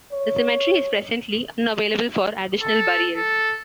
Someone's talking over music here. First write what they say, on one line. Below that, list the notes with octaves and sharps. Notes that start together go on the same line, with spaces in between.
The cemetery is presently unavailable for additional burials.
C#5
A4
A4